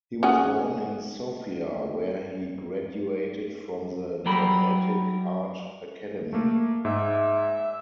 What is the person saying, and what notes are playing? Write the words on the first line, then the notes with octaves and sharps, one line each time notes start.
He was born in Sofia, where he graduated from the dramatic art academy.
C#4 F#4 G#4
F#3 G3 G4 A#4 B5
A3 A#3
G#2 E5